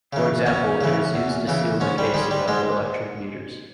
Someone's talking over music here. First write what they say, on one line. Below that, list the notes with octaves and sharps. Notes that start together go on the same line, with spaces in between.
For example, it is used to seal the casing of electric meters.
C#3 E3
E2 C#4
C#3 E3
E2
C#3 E3
G#2 C#4
G3
G3 G#3
G3
G#2 G#3